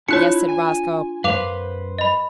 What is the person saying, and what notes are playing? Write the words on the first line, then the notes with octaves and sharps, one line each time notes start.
"Yes," said Roscoe.
D4 E4 F4 C#5 A5 F#6 C#7
G#5
F#2 B4 C5 F5 D6 F7
D#5 B5